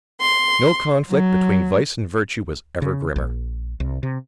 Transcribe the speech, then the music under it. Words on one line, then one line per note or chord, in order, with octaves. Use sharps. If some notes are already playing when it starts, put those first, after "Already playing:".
No conflict between vice and virtue was ever grimmer.
C6
F#3
C#3
A#1
C2
C3